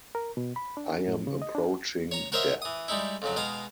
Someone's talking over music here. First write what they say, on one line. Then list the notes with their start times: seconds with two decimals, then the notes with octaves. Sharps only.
I am approaching death.
0.15 A#4
0.37 B2
0.56 B5
0.77 D4
1.08 A2
1.27 C#3
1.42 D#5
1.55 D4
2.11 C#5 A#5
2.32 F#4 A#4 C5 C#5 D#5 E5
2.62 E3 D#6
2.88 G3 G#3 D#4 E4
3.22 F2 C#3 F#3
3.36 B2 G#3 D#5 F5 A#5